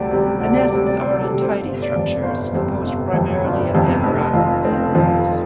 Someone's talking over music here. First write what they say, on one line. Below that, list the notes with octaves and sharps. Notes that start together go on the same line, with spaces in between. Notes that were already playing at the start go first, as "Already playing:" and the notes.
The nests are untidy structures composed primarily of dead grasses and roots.
Already playing: D2 C3 G3 D5
C3 G3
D2 D5
D5
C3 G3 D5
D5
D2 C5
A4
C3 G3
C5
G1
D5
F2 C3
D5
G1 C5
F2 C3
G1
F2 C3
G1 D4
F2 C3
F1
F2 F3
F1 C4
F2 F3